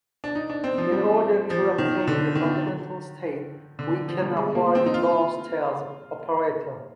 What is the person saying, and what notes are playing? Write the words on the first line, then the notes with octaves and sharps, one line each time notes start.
In order to obtain the fundamental state, we can apply the down stairs operator.
D4
D#4
D4
C4
F3
G3
F3
D#3
D3
D#3
D3
F3
G3
G#3
A#3
C4
D#4
F4